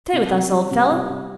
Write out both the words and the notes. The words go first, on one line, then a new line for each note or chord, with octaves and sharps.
"Stay with us, old fellow."
C3
C3
G3
C3
C3
C3